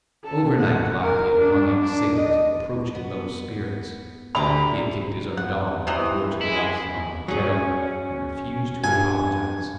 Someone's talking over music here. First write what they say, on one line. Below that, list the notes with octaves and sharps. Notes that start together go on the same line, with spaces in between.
Over night Calliope had hung out signals of approaching low spirits. He had kicked his own dog on the porch of the Occidental Hotel, and refused to apologise.
A4
F#5
A#4
D4
D4
D#5
B3
D2 D3 G4 A#5 B5
F#5
C3 E3 D#5
G#3 E4
F#3 C#4 G#4
G2 G#5